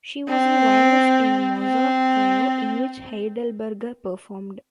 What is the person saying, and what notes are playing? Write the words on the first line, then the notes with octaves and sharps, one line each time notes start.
She was the violist in a Mozart trio in which Heidelberger performed.
C4
C4